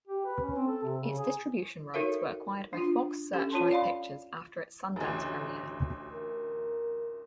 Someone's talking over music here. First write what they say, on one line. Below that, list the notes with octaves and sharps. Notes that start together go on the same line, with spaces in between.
Its distribution rights were acquired by Fox Searchlight Pictures after its Sundance premiere.
G4
B4
C#4
C4
A4
C3
C#3
G#4
D#4 F#4 A4 A#4 C#5 E5
D4 F4
C#4 G4 A4
F4 C#5 A5 C6
D5 F5 B5 C6
A1 D2
A#4